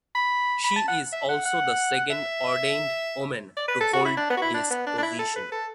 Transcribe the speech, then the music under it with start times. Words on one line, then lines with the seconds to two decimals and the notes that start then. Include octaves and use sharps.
She is also the second ordained woman to hold this position.
0.15 B5
0.64 B5
0.76 A5
0.88 F#5
1.12 E5
1.28 F#5
1.45 F#5
2.10 E5
3.57 D5
3.68 B4
3.80 A4
3.93 F#4
4.05 E4
4.17 D4
4.30 B3
4.37 F#4
4.41 E4
4.54 D4
4.70 B3
4.86 D4
4.98 D4
5.02 E4
5.19 A4
5.36 B4
5.52 A4